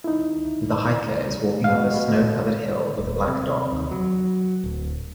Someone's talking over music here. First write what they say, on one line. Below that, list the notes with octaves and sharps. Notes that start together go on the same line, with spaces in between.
The hiker is walking up a snow covered hill with a black dog.
D#4 E4
B2 F5
D#1
C3
D#2
F#3
D1